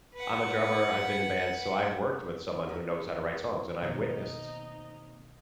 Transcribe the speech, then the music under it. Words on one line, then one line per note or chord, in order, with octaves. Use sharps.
I'm a drummer, I've been in bands, so I've worked with someone who knows how to write songs and I've witnessed
B4 F#5
D4 A#4 B4
B2 D#3 A#3 C4 D#4 B4